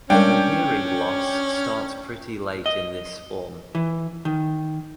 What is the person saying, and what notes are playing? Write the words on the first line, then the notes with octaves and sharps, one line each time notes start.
The hearing loss starts pretty late in this form.
G3 G#3 C#4 D4 A#4 G5
D#5
E3
D#3